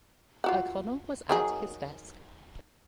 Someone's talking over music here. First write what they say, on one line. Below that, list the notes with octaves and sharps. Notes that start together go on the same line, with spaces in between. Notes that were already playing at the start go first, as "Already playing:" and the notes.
O’Connell was at his desk.
F4 F#4 F#5
D#3 F#3 G#4